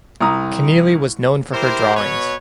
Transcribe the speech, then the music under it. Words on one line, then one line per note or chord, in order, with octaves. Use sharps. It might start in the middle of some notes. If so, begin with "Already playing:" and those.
Kenneally was known for her drawings.
C2 A#5 D#6
E4 G4 A#4 C5
B2 B4 C#5